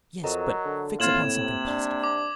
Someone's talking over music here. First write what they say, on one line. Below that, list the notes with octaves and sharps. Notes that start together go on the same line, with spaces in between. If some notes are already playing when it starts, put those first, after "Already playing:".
"Yes; but fix upon something positive."
F2 F#3 A#4 D#5 A#5
D3
A2 A#3 C4 F4 G#6 E7 F#7
C3
D4
D6